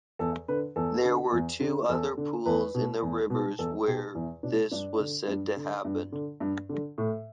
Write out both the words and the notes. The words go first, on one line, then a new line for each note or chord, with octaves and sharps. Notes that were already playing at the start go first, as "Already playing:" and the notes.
There were two other pools in the rivers where this was said to happen.
E2 A4
D3 B4
E2 A4
D3
E2
D3
E2 A4
D3
E2 B4
B2
E2
B2
E2 A4
B2 G4
E2 E4
B2 D4
G2 D4
D3
G2
D3
G2
D3
G2
D3
A2